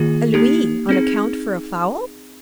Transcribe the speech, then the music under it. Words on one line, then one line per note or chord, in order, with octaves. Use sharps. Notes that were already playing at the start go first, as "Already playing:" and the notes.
"A louis on account for a fowl?"
Already playing: D#3 A#3 F4 G#4
A#3 D#4 G4
C4 D#4 G#4